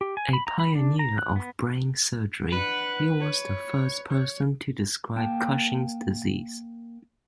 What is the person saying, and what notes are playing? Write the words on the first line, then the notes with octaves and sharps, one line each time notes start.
A pioneer of brain surgery, he was the first person to describe Cushing's disease.
G4
G#5
B5
A#5
B5
D4
A#5
F#6
B3
D4 B4 F#5
C#5
C#5
A#3 G5 A5